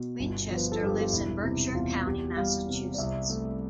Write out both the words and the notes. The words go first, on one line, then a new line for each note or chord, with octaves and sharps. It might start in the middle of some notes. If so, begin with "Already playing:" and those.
Winchester lives in Berkshire County, Massachusetts.
Already playing: B2
G1
F3
B4
A4
G2 G4
F4
E1 E4
C3 E4
E2 F4
E2 G4
G3 F5
C3
D5
C2 E5
A3